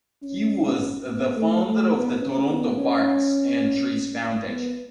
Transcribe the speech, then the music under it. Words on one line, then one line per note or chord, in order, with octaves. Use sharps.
He was the founder of the Toronto Parks and Trees Foundation.
C#4
B3
A3
A3
B3
C#4
B3
C#4
B3